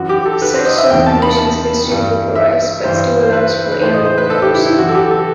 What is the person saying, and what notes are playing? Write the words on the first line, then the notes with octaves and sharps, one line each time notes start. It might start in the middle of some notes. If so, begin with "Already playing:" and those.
Such soil conditions less suitable for rice, but still allows for arable crops.
Already playing: F#2 E3 F#4
G4
A4
B4
C5
D#5
E5
E2 C3 E3 G5
A5
B5
A5
G2 E3
E5
G2 E3 C5
C5
B4
B4
A2 E3 C5
D#5
C5
B4
A4
G4
E4
E4
F#2 E3 F#4
A4
G4
A4